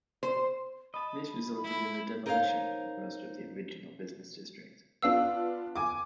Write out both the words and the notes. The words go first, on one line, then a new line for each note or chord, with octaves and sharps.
This resulted in the demolition of most of the original business district.
C5
D#5 A5 B5
A3 E4
D#4 A#4 C5 C#5 D#5 F5
B3 D4 F4 F5 E6
G#5 D6